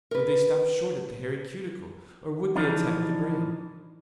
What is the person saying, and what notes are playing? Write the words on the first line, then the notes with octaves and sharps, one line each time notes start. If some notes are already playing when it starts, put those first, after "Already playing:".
Would they stop short at the hairy cuticle, or would they attack the brain?
A#4 B4
E3 F3 D4 D#4